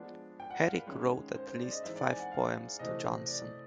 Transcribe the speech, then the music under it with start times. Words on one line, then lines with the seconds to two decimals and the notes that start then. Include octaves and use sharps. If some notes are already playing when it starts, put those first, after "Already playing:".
Herrick wrote at least five poems to Jonson.
Already playing: F3 G#3 B3 D4
0.40 G5
0.50 F#5
0.63 F5
0.75 B4
0.87 D#3 G#3 C#4
1.36 C5
1.47 C5
1.59 D5
1.71 D#5
1.83 E3 G#3 C4 D#4 E5
1.96 D5
2.08 G#5
2.20 F#5
2.32 F5
2.79 C3 E3 A3 C4 D#5
3.28 D5